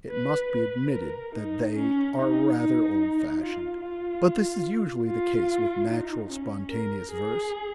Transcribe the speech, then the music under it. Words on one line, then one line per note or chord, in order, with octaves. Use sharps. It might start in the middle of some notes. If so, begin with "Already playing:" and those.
It must be admitted that they are rather old-fashioned, but this is usually the case with natural spontaneous verse.
B4
B4
A#4
D#4
C#4
D#4
D#4
F4
F4
F4
D#4
C#4
A#4
G#4